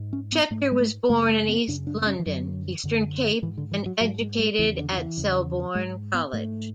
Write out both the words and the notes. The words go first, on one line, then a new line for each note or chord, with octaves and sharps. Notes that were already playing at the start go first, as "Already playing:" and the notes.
Scheckter was born in East London, Eastern Cape, and educated at Selborne College.
Already playing: G#2
C#4
B3
G#2 A3
G#3
A3
F#2 C#3 A3
A3
B3
F#2 C#3 D4
D4
B3
C#4
E3
F#2 D3 F#3
F#2 D3
G#2 E3
D3
E3
F#3
G#2 F#3
G#3
G#3
E2 C#3 E3
D3
D3
E3
E2 C#3
G#2 G#3
B3
G#2 A3